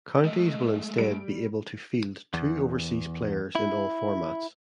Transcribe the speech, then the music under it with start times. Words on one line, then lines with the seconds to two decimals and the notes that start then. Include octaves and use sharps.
Counties will instead be able to field two overseas players in all formats.
0.25 G#3 A3 D#5
0.98 G3 D7
2.34 E2
3.55 E4